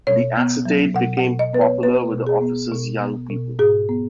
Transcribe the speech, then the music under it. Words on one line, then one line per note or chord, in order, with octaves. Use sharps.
The acetate became popular with the office's young people.
B2 C#5
B3
F#3
B2 F#5
F#5
B2
D#5
B3 B4
C#5
B3 B4
B2
G#4
B3
B2
B3
B2
G#2 G#4
B3